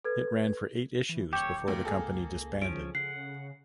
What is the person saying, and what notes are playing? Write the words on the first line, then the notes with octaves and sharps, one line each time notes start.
It ran for eight issues before the company disbanded.
A4 B4 G#6
E3
D1 G4 A4 C#5 G5 D6 G6
D2 C3 A#3
C#2 G#4 A4
F3 C#4 D7
C#3 F#5 C7